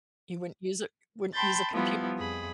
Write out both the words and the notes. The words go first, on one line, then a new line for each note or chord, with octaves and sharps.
He wouldn't use it wouldn't use a compu
G5 A5 B5 C6 G6 A6
F3 G3 B3 E4 F4
F2 G#4 B5